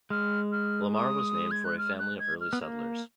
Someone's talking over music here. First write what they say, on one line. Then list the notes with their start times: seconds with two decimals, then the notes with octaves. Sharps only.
Lamar was named for a family of early settlers.
0.10 G#3 F6
0.52 F6
0.94 D#6
1.51 G#6
1.65 F#6
1.78 F6
1.99 F#6
2.20 G#6
2.41 F6
2.53 B3
2.62 A#3